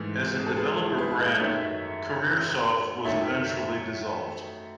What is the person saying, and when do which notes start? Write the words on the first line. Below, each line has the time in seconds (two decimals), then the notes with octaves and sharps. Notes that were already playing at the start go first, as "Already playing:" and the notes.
As a developer brand, Career Soft was eventually dissolved.
Already playing: G#2 E3 A3
0.37 G#4
0.47 A4
0.57 G#4 B4
0.77 E4 G#4
0.98 G#4 B4
1.19 B4 D#5
1.39 F#2 D#3 A3 C#5 E5
3.05 F#2 D#3 A3 C#5 E5